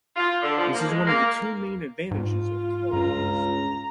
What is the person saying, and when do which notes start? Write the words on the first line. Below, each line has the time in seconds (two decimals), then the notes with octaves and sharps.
This is one of the two main advantages of callbacks.
0.16 F4
0.42 D3
0.57 F3
0.73 A#3
0.88 G#3
1.07 A#3
2.11 G#2 F4
2.93 C#2 G2 A#5